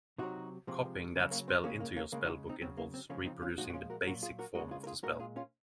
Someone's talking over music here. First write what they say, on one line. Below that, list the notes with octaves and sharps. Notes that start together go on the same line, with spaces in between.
Copying that spell into your spellbook involves reproducing the basic form of the spell.
C3 F#3 D#4 F#4
C3 F3 G#3
C#3 F#3
A#3 C#4
C4
C#3 G#3 A#3 C#4
A#3
A#3 C#4
C#3 G#3 A#3
D#4 F#4
C4 D#4
C#3 F#3 C4
A#3
C4
C#3 F3 G#3 A#3 C#4
C4 D#4
C#4 F4
A#2 F3 G#3 D#4 F#4
F#4
C#4 F4
F#4 A#4
A#2 F#3 F#4 A#4
F4 G#4
F#4 A#4
C#3 G#3 F#4 A#4
F4 G#4
A#4
F4 G#4
A#2 G#3 F#4 A#4
F4 G#4
C#4 F4